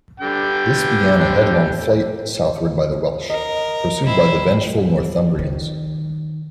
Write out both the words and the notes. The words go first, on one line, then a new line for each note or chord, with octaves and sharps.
This began a headlong flight southward by the Welsh, pursued by the vengeful Northumbrians.
D3 G3 G5
A#4 D#5
C4 E4
D#3